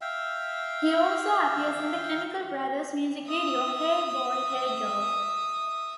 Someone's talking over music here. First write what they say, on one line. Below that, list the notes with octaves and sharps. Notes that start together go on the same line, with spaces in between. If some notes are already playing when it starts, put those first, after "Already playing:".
He also appears in the Chemical Brothers music video "Hey Boy Hey Girl".
E5 F5 G5
E5 D#6